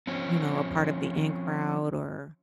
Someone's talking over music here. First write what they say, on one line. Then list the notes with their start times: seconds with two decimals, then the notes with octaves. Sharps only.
you know, a part of the in crowd, or
0.07 F3 C4 C#4